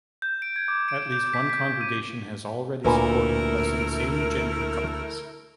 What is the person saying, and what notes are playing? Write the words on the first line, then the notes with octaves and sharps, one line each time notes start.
At least one congregation has already supported blessing same-gender couples.
G6
D7
G#6
D6
D7
G6
B6
B6
D#7
D2 A#2 A3 E4 A#4 B4 G#5